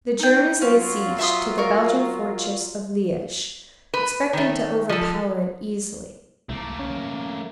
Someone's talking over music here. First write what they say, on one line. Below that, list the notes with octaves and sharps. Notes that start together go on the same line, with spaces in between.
The Germans laid siege to the Belgian fortress of Liege, expecting to overpower it easily.
D#4 G5
F#3 C#4 F4
E5 C6 D#6
A#4 C#6
B4
D#3 A3
F3 A4
C2 A3 A#3
C#4